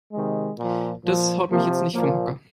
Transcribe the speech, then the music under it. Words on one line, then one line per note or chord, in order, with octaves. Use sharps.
Das haut mich jetzt nicht vom Hocker.
C3 D#3 G#3
A#2 F3
A#2 F3
C3 F3 A#3
A#2 F3 A#3